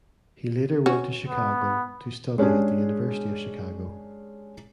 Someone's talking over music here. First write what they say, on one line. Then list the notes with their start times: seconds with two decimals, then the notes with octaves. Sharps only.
He later went to Chicago to study at the University of Chicago.
0.86 C#4 F#4
1.28 B3
2.38 G#3 C#4 D4 G4 G#4